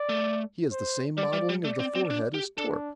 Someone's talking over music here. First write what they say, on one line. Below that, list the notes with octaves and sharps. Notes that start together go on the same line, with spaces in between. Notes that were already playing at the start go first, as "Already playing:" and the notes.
He has the same modelling of the forehead as Torp.
Already playing: D5
A3
C5
G3 D5
G3
G3
A3 D5
C4
C4
D4
G4
D4 A4